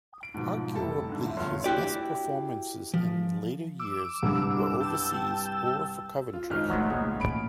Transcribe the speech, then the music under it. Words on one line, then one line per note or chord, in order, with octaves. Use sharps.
Arguably his best performances in later years were overseas or for Coventry.
D7
G#2 B2 F3
F1 G3 E4 A4 A5
G#2 D3
D2 F3 E5
E1 G2 D3 C#5 C6
E4 F#4 G4 D5
F3
D6 E6
C2 G2
G5 A5 E6
F4
G#1 D#4 F6
D2 E3 F#3 A3 B3 C6
C#2 C#3 A#3 F#4 G#4
A1 D2 B5 D7